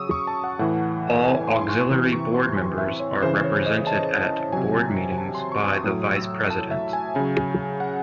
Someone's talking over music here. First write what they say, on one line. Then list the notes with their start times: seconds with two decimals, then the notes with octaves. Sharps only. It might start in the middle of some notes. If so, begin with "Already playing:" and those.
All auxiliary board members are represented at Board Meetings by the Vice President.
Already playing: C#3 F#3 C#6 D#6 E6
0.11 C#6
0.27 A5
0.44 F#5
0.59 A2 E3 F#5
1.25 G#5
1.48 C6
1.61 C6
1.69 C#6
1.91 C3 E3
2.13 C#6
2.34 C6
2.56 G#5
2.78 E5
3.00 C#5
3.22 C#3 E3 C5
3.44 C#5
3.66 D#5
3.87 A5
4.53 C3 F#3 G#5
5.12 G#5
5.18 A5
5.35 C6
5.52 C#6
5.67 D#6
5.84 A2 F#3 D#6
6.16 E6
6.50 A5
6.71 E5
6.93 G#5
7.15 C#3 F#3 G#5
7.80 F#5